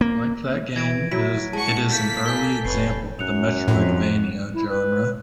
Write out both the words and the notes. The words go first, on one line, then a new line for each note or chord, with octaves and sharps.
Like that game, it is an early example of the Metroidvania genre.
A#3
E3 G#6 A#6 D7
F#3 E4 B6
G#3 F#5 A5 C#6 C#7
A#3 A4 G6 A6 B6
G#5 G6 G7
F1 B4 C#5 C7
F#2 F#6 C#7 F7
F2 A2
E4
B4